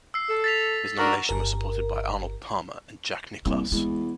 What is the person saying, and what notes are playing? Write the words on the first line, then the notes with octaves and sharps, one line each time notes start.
His nomination was supported by Arnold Palmer and Jack Nicklaus.
E6 C7
A4
A6 B6 F7
D4 F#4 A#4
G1 A#4
C2 A#3
E2 G#3